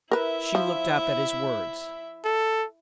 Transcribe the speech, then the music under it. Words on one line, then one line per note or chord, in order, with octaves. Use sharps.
She looked up at his words.
E4 A#4 B4 E5
F3
A4